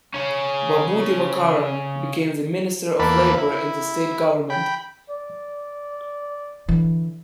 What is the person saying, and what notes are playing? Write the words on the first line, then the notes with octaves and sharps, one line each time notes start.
Babu Divakaran became the Minister of Labour in the state government.
C#3 C#4
E2 A#3 A4 B4 D5 B5
E4
G5 B5
D5
D3 E3